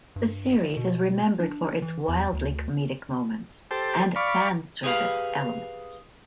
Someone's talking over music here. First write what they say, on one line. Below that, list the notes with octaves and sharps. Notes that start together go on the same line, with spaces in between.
The series is remembered for its wildly "comedic" moments and fanservice elements.
G2
B2
D4
E3
E2
D2
G4 A4 C5
D5 F5 B5 C#6
G4 G#4 B4 E5 F5